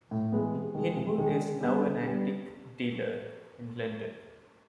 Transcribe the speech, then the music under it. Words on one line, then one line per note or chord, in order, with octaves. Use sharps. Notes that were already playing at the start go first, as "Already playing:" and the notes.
Hinwood is now an antiques dealer in London.
A2
E3 G#3 B3
C3
D#3 G#3
C3
D#3 G#3
D3
G3 B3
D3
G3 B3